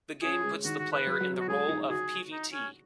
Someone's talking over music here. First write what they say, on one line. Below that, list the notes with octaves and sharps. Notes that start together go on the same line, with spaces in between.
The game puts the player in the role of Pvt.
C#4 G#4
G#3
D#3 F#4
F#4
B4
F#3
F#3
F#3
F#4
G#3 G#4
D#4
F#4 G#4
D#4
C#4